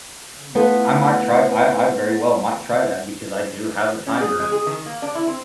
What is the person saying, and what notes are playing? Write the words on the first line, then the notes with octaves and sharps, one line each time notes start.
Um, I might try I I very well might try that, because I do have a timer,
A3 B3 E4 F4 A4
C#4
G#4
G#3
G#4
D#3
A#3
D4
E4
C4